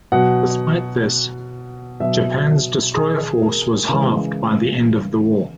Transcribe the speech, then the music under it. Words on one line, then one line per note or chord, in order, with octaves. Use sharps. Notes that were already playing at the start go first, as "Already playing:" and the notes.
Despite this, Japan's destroyer force was halved by the end of the war.
B2 F#3 F#5
B2 F#3 E5
G#4
A#4
C#3 E3 G#3